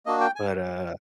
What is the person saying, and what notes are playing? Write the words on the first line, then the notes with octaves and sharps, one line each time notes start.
But, uh
A#3 D4 F#4 D#5
G5
G#5